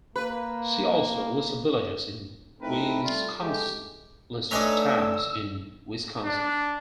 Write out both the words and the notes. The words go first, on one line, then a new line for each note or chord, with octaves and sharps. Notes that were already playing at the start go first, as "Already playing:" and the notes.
See also: List of villages in Wisconsin, List of towns in Wisconsin.
A#3 B4
A3 C4 D#4 E4 A#4 B4
G3 A3 F4
G#3 A3 G4
A3 D4 D#4 B4 C#5 G#5 A#5 E6
D4